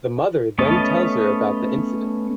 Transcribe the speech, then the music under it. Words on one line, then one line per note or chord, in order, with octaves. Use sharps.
The mother then tells her about the incident.
A3 B3 C#4 D#5 A5